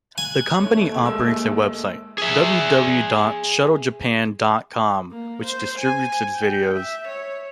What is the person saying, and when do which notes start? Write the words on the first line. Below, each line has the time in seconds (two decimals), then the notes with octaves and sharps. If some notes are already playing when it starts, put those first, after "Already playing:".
The company operates a website, www dot shuttle-japan dot com, which distributes its videos.
0.18 G#5 F#6
0.60 D#2 A3 C#5
1.04 G#3 A#3 E6
2.18 G#4 E5
5.11 A#3
5.44 C5
5.78 G#5
6.35 G5
6.74 E5
7.08 C#5